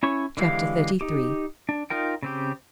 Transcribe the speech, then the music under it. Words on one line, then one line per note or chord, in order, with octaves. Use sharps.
Chapter XXXIII.
C#4 E4 C#5 C#6
D3 E3 G#3 G4 F5
D#4 G4
D4
D#4 F4 A#4 G5
C#3 C4 G4